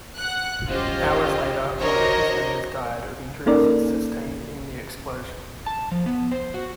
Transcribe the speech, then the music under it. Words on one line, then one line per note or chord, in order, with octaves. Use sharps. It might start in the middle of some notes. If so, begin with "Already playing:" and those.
Hours later one of his neighbours died of injuries he sustained in the explosion.
F#5 F#6
C#4 F4 G4 C5 D#5
D4 F#4 A#4 C5 C#5 D#5
A#3 C#4 D#4 A4 A#4 D5
A5
F3
B3
C5
F#4